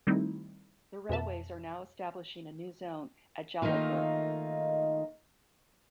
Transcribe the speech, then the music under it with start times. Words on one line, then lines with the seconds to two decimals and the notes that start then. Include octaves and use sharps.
The railways are now establishing a new zone at Jabalpur.
0.07 D#3 G3 A3 C4 D#4 E4
1.09 F2 B2 E5 A5
3.62 D#3 A3 A#3 D#4 F4